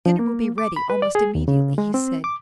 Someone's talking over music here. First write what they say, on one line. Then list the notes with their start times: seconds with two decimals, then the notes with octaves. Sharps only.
"Dinner will be ready almost immediately," he said.
0.06 F3
0.19 A#3
0.58 D6
0.76 B5
0.90 B4
1.02 D5
1.15 G#4
1.35 D#2
1.48 C#3
1.78 G#3
1.94 C4
2.24 D6